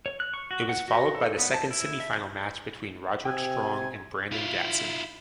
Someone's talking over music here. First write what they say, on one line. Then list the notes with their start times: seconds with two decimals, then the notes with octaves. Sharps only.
It was followed by the second semifinal match between Roderick Strong and Brandon Gatson.
0.06 C#5
0.20 F#6
0.34 C#6
0.51 F#4
0.69 F#5
0.88 F#4
1.15 A4
1.38 B3
1.54 A5
1.71 E4
2.00 E5
3.25 C3 G5 G#5 D#6 E6
4.32 E4 F4